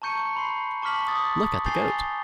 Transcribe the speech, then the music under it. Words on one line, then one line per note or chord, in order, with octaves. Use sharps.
Look at the goat!
A5 A#5 C#6 G6 C#7 D#7
B5 C6 C7
A5 C#6 D6 F6 B6 F#7
D6 D#6 A6
G#5 G6 A6 C7 F7 G7